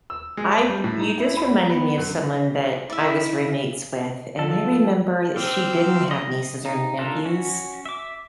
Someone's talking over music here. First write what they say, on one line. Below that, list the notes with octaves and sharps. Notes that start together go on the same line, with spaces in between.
I d you just reminded me of someone that I was roommates with, and I remember i she didn't have nieces or nephews.
E6
G#3
A5
G3
A2
D#4
E4
B5
A#5
B3
F#2
E4 D5 E5
F3 A4
C4 C5 D6 E6 F6 G6
D#5
D#4
D4 D#4 F4 A4 A#4
C#4 F#4
E5 D6